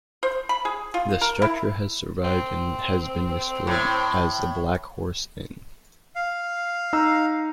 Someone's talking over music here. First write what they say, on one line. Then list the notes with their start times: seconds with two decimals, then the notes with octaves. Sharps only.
The structure has survived and has been restored as the Black Horse Inn.
0.23 C5
0.49 B5
0.65 G#4
0.94 F4
1.21 A#4
1.42 E4
2.24 C4
3.67 A2
6.16 F5
6.93 D#4 A#5 E6